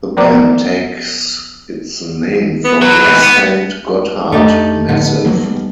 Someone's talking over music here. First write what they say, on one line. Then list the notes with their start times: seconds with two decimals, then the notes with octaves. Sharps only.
The band takes its name from the Saint-Gotthard Massif.
0.17 F3 B3 A#4 D5 A#5 D6
2.64 B3
2.82 F#3 B4
3.04 G#2 E3
3.22 B3
4.32 F2 A3 D4 D#4 G4
4.89 A2 D3 F3 B3
5.25 F3 F#3 A#3
5.43 G3